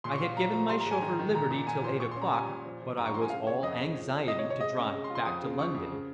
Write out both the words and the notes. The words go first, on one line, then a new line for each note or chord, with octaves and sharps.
I had given my chauffeur liberty till eight o'clock, but I was all anxiety to drive back to London.
A#2 C6
C#6
C6
F4
F3 A#5
F3 A#5
G3 C6
A#5
G#2
G#5
D#3 A#5
D#3
A#2 A#5
A#2
A#5
A#2 G#5
F3 C6
A#2 C#6
C6
C#4
A#5
G3 G#5
A#2
F3
F3
G2 A#5
C#6
F3 C6
G#5
C#3 F5
C#3 C#5
F2 D#5
G#3
F3
G#3
C3 D#5
C#5
C3
C#5
G#3 D#5
C#4
G#3
C6
F4
C6
F2 D#6
C#3
F3 C#6
F2
C#3